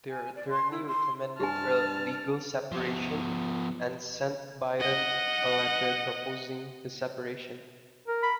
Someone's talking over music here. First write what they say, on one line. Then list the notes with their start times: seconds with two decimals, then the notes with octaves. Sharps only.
Their attorney recommended a legal separation and sent Byron a letter proposing the separation.
0.09 G#5
0.35 D5
0.48 C6
0.70 E4
0.86 C6
1.40 G2 G4 G#5 A5 F6
2.72 F3 B3
4.80 D#5 F#5
8.08 A#4
8.23 B5